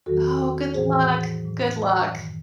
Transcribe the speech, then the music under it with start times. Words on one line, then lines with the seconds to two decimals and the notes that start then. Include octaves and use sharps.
Oh, good luck! Good luck.
0.06 E2 D#3 F#3 F#4 A4
0.74 A2 E3 G#4 C5
1.42 A2 F#3
2.10 F#2 D#3 F#3